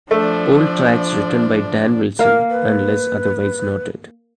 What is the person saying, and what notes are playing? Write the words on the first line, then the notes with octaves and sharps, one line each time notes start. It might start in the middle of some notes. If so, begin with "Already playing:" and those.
All tracks written by Dan Wilson unless otherwise noted.
F3 A3 D4 D5
A#3 A#4 F5
B4